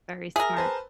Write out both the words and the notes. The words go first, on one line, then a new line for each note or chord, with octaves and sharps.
Very smart.
G#4 A#4 E5
B4 C5 A5